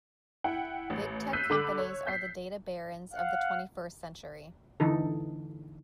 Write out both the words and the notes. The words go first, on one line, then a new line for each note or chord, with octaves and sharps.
Big tech companies are the data barons of the twenty first century.
E4 F#5 G5
A1
E6 F#6 G6 B6 C7 D#7
D3 B5 D6 F#7
C#5
G6 B6 C7
F5 F#5
D3 E3 D#4 A4